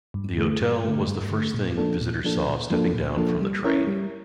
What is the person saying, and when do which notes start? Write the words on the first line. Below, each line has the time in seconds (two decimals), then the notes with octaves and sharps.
The hotel was the first thing visitors saw stepping down from the train.
0.14 G2
0.37 D3 A3
0.61 G2
0.84 D3 A3
1.07 G2
1.31 D3 A3
1.54 A#2
1.78 F3 A#3 D4 A4
2.01 A#2
2.24 F3 A#3 D4 A4
2.47 A#2
2.70 F3 A#3 D4 A4
2.94 A#2
3.17 F3 A#3 D4 A4
3.41 G3
3.64 C#4 E4 A#4 C#5
3.87 G3